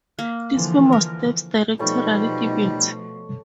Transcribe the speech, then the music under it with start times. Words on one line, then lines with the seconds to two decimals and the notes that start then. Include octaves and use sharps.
This film was Depp's directorial debut.
0.19 A#3
0.54 D3 E3 F3
0.92 A#4
1.79 B2 F3 G3 A3 D#4 A4 C#5 C#6